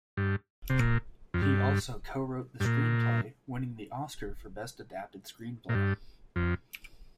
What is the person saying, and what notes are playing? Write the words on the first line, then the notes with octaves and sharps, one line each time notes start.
He also co-wrote the screenplay, winning the Oscar for Best Adapted Screenplay.
G2
C3
A#2
F2
G2
G2
A#2
A#2
G2
F2